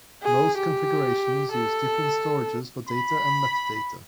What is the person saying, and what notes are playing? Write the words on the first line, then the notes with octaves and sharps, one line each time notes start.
Most configurations use different storages for data and metadata.
G#4
G4
A4
B5